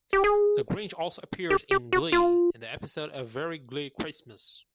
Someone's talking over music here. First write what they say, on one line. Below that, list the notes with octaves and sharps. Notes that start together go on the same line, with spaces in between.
The Grinch also appears in "Glee" in the episode "A Very Glee Christmas".
G4
G#4
G4
G4
F#4
F4